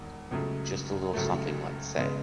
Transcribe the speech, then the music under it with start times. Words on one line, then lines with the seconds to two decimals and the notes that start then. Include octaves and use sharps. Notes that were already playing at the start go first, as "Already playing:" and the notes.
Just a little something, let’s say.
Already playing: E1 E2 D#3
0.31 C#2 C#3 F#3 A3
1.13 C#2 C#3 F#3 A3
1.96 C#3 G#3 B3